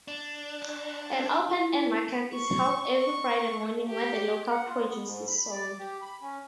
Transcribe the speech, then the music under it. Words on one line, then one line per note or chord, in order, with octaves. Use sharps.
An open-air market is held every Friday morning where the local produce is sold.
D4
E4
C#6
C#6
G4
F#5
F4
B3
G#2
B5
D5
G4
B5
C#4